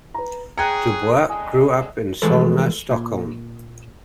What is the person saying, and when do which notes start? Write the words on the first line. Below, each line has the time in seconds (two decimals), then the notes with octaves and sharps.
Dubois grew up in Solna, Stockholm.
0.14 B4 A#5
0.58 C#4 G#4 G5 A#5 F#6 G#6 C#7
1.29 D3 G#3 G#5 D#6
2.22 E3 F3 G#3 A3 A4 B4
2.91 A#2